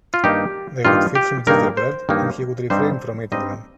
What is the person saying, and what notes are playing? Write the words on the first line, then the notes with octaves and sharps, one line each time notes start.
They would feed him gingerbread and he would refrain from eating them.
F4
G2 D#3 A#3 D#4 G4
G2 D#3 A#3 D#4 F4
G4
G2 D#3 A#3 D#4 A#4
C5
G2 D#3 A#3 D#4
G2 G3 C4 D#4 C5
G2 G3 C4 D#4 D#5